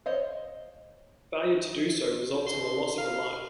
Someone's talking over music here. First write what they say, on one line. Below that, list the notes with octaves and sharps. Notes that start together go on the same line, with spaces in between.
Failure to do so results in the loss of a life.
C5 C#5 D#5 F5
D2 D#3 F3
C2 G2 B2 C6
A2 A#3 A#4 F5